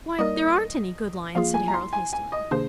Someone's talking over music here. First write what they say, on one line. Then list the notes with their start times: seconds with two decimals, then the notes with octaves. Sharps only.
"Why, there aren't any good lions," said Harold, hastily.
0.19 G3 A#3 D#4 A#4 D5 D#5
1.35 F3 A#3 F4 G#4 F5
1.54 G#5
1.68 A#5
1.74 C6
1.93 G#5
2.13 G#5
2.32 D#5
2.51 C3 D#3 A#3 D4 G#4 C5